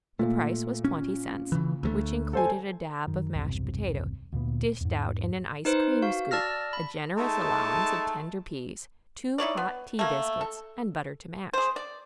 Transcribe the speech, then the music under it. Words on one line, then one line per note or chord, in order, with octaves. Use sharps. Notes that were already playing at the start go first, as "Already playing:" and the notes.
The price was twenty cents, which included a dab of mashed potato dished out in an ice-cream scoop, a generous allowance of tender peas, two hot tea-biscuits and butter to match.
A#2 A3
C#4
C#3 E3
D2 F#3 A3
A4 C5 G#5
F#2 D#3
B1 E2 G2 C3
D2 A#2 B3
E2 G#2
D#4 B4 C5
F#4 F5
D5 A5 E6 F6 A#6
B5
G#3 A3 D#4 A5
D#4 E4 C#5 D5
B3
A3 A#3
A4
G#4 C5
D5